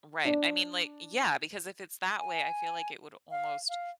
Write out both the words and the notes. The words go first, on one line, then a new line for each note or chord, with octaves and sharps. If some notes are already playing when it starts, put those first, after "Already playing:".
Right, I mean, like eh, yeah, because if it's that way, I feel like it would almost
D4 D5
G#5
F5
F5